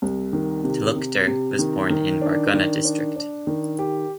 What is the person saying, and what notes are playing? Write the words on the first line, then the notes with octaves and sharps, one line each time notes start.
Talukder was born in Barguna district.
C2
D#3
C3
C3
C3
D#3
D#3
D4
D#3
D4
D4
D#3
G4